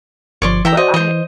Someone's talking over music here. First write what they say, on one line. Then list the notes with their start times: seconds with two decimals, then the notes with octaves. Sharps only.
but I ha
0.42 G1 F3 C#5 D5 C6
0.65 E3 E5 G5 A#5
0.77 F#4 C5 D5 D#5
0.94 E3 C5 D#5